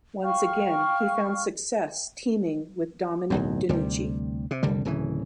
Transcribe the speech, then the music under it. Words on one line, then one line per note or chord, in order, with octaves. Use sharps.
Once again, he found success teaming with Dominic DeNucci.
F5 G5 C#6 F6
D1 B1 E2
D2 C3 G3
C3
F1 C2 D3 G3
D1 C#3 E3